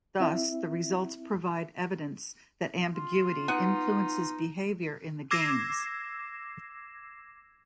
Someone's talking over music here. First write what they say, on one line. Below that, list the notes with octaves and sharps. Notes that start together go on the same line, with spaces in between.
Thus, the results provide evidence that ambiguity influences behaviour in the games.
C4 E4 E5
F4
B3 D#4 F#5
D6 E6 G#6 A#6 C7 E7